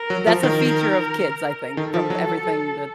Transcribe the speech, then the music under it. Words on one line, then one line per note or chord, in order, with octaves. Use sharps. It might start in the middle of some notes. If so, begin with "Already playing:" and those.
that's a feature of kids, I think, from everything that
Already playing: A#4
F#3
F3
D#3 A#4
D#3 A4
F3
F#3